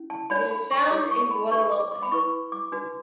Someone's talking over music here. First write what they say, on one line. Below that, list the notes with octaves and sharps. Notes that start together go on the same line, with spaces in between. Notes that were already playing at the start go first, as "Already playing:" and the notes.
It is found in Guadeloupe.
Already playing: C#4 E4
A5
D4 F#4 C#5 B5
B5
C#6
E4 G4 C#5 D6
C#6
B5
D4 G4 B4 C#6
D6
D6
B5
E4 B4 C#6
D6
D4 F#4 B4